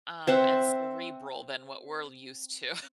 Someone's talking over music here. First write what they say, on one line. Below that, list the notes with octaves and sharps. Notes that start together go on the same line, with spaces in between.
Um, and cerebral than what we're used to
C4 C5 E5 F#5